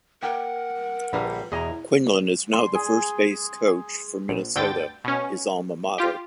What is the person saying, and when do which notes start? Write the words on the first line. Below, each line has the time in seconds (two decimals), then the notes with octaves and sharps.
Quinlan is now the first base coach for Minnesota, his alma mater.
0.22 A#3 A#4 F#5 G5
1.13 A#1 A#2 D3 G3 A#3 B4
1.52 E2 B2 E4 G#4 D#5 G#5 A#5
2.53 C6
2.75 G#4
4.29 A#1
4.55 D2 G2 D3 G5 A6
5.04 B2 C#4
5.98 F4 G4